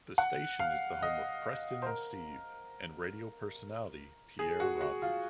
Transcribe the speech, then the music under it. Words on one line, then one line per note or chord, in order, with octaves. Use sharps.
The station is the home of "Preston and Steve" and radio personality Pierre Robert.
F#5
F5
D#5
C5
A#4
G#4
F#4
F#4
F4